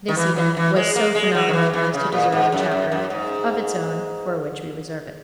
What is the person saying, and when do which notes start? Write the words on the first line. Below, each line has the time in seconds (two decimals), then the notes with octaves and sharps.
This event was so phenomenal as to deserve a chapter of its own, for which we reserve it.
0.08 D#3
0.17 E3
0.36 E3
0.57 E3
0.76 G#3
0.96 A#3
1.15 G#3
1.35 F#3
1.49 D#3
1.54 E3
1.73 E3
1.94 C#3
2.12 A#2
2.32 G#2
2.52 F#2
2.72 F#2
2.92 F#2
3.10 G#2